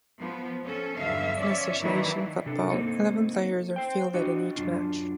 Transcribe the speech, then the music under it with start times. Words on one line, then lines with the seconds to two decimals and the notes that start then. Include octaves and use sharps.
In association football, eleven players are fielded in each match.
0.19 F3 B3
0.65 C#4 A4
0.97 E2 G2 D3 F#3 E5 F5
1.39 F3 C#4 C#5 D5 E5
1.79 D#3 E3 F#3 A#3 D4 E4
2.46 C3 D4 A4
2.70 A#3 C4 D#4 A4
3.76 C5 G5
4.14 D4 F#4 D#5
4.56 F#2 C3 D4 F4